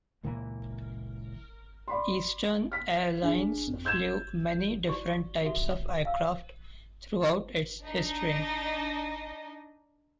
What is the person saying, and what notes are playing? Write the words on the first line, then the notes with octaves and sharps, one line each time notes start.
Eastern Air Lines flew many different types of aircraft throughout its history.
C#2 A#2 E3 A#3
D5 B5 C6
F6 B6
D4 G#4
F2
E6 G6 G#6 E7
E4 F#4 D5 C#6
F#4 A4 E5
F5 E6
D4 D#4 D#5